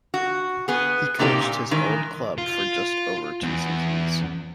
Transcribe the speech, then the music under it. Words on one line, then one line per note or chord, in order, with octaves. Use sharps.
He coached his old club for just over two seasons.
F#4
B3 G#4
A2 C3 A#3 D#4 G4 D5
A#2
G#2 D#3 E3
F4
E2